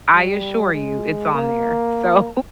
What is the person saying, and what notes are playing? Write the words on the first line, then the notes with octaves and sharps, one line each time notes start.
I assure you it's on there. So,
G3
G#3
A#3